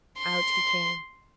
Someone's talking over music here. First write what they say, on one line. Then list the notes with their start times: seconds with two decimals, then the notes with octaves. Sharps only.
Out he came.
0.18 C6